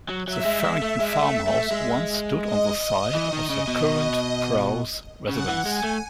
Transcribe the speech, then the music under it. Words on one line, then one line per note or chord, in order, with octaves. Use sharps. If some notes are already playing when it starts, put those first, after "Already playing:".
The Farrington farmhouse once stood on the site of the current Prowse residence.
F#3
F#3 E5
G#3
G#3
A3
G#3
A3
A3
G#3
D#5
E3
D#3
C#3
B2
C#3 F#5
E3
G#3 G#5
A3